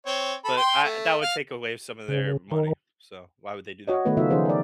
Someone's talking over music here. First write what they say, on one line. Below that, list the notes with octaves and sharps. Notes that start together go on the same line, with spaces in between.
But, I that would take away some of their money. So, why would they do that?
C4 C#5
A4 B5
G5 C6
A3
F5
C#3
D#3
F#4 C#5 D#5
D#3 A3 B3 D#4 B4
C#3 F#3 B3 D#4 F4 E5
D#3 F3 C#4 G#4 C5
A#4 D5